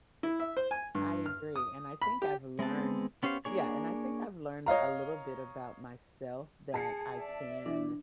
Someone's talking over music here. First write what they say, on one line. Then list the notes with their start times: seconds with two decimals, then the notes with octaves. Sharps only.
I agree, and I think I've learned Yeah, and I think I've learned a little bit about myself that I can,
0.23 E4
0.40 E5
0.57 C5
0.71 G#5
0.95 G2
1.26 F6
1.56 D#6
2.02 B5
2.22 G4
2.59 G#3 B3 C4 A5
3.23 B3 C#4 G4 C5 F5
3.45 A#3 D4 G#4 C#5
4.66 C#5 D#5 F5 A#5
6.74 G#4 A5 C7 C#7
7.18 D5 E5
7.66 E3 D4